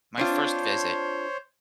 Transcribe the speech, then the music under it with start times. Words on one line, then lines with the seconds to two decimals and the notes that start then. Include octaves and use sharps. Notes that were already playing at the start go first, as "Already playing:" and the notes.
my first visit-
0.18 C4 D4 F4 C5 C#5